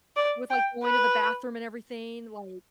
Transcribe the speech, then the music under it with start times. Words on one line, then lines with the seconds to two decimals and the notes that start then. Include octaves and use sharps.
with, like, going to the bathroom and everything, like
0.16 D5
0.51 G5
0.84 B4